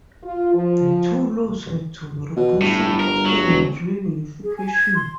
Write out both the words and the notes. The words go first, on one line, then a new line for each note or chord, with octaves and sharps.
The two laws had to be reconciled after reunification.
F4
F3
B2
G1 A2
A#4
F#3
E1
G#4
G#5
G#6
C6